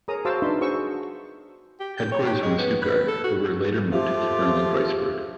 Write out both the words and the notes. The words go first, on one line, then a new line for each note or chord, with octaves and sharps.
Headquarters were in Stuttgart, but were later moved to Berlin-Kreuzberg.
G#4 A#4 C#5 A#5 D#6
F#4 C5 F5 A5 D6 E6
D4 D#4 B4 E5 C6
F#4 G#4 C5 C#6 E6
G4
G5
C#5
G4
G#3
B3
B4
A4
F#4
F3 A3 F4 G4